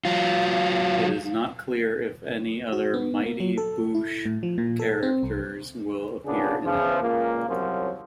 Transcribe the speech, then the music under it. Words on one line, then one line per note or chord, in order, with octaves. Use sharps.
It is not clear if any other "Mighty Boosh" characters will appear in it.
F#3 F4
F#4
B3
A#3
F#3
A4
E4
A2
F3
A#2
A4
C4
C2
A#2 C#3 B3 D4 G#4
E2 C#3 E3 F3
C#2 A#2 A#3
C2 F#2 F3 F#3 C#4